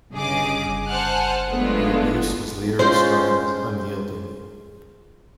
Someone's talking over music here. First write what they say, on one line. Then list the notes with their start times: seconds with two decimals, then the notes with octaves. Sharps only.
Her abuse was later described as "unyielding".
0.13 G1 C#3 G#4 D#5 D6
0.87 C5 F#5 G#5 A5 F6 F#6
1.50 F#3 G#3 A3 B3 D4 F4
2.79 G#3 C#4 F4 C5